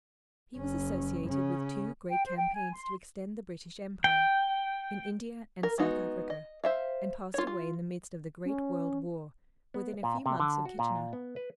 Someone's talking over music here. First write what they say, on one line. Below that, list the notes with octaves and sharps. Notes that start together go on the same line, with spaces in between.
He was associated with two great campaigns to extend the British Empire--in India and South Africa--and passed away in the midst of the great World War, within a few months of Kitchener.
F#1 C#4
C#3 C#4
G5
C5
G5
G#5
C6
G5
A#4
G#3 B3 D#4 F#4
D#5
C5 E5 F5
F4 C#5
F4
C#4
B3
A#2
C3
D3
F#4
A#2
B3
B4